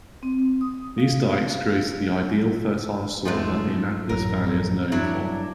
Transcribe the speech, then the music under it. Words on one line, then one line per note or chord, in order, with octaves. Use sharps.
These dykes created the ideal fertile soil that the Annapolis Valley is known for.
C4
D#6
F5
G#2 F3 G#3 A3
A1 F#2 A#4
G2 F#3 D4 E4